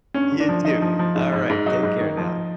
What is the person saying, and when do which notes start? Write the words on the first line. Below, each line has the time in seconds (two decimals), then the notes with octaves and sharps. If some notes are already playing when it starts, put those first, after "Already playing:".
you too, alright, take care now.
0.14 G2 C#4
0.32 D3
0.40 D4
0.49 F3
0.65 G2 D#4
0.82 F3
0.99 F3
1.15 G#2
1.33 G#2
1.49 G#2
1.66 F#3 D#4
1.83 G#2
2.00 D#3
2.18 F3